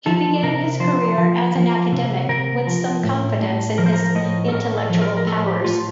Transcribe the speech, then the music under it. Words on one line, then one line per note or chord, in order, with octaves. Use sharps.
He began his career as an academic, with some confidence in his intellectual powers.
F3 A4
C3 A#4
F3 C5
F3
F3
C3
C3 A#4
F3
A2
A2
F3 A#4
C5
A#4
A2 D#5
A4
A2 A#4
A4
F3
A#4
A#4
A2 A4
G4
A2 F4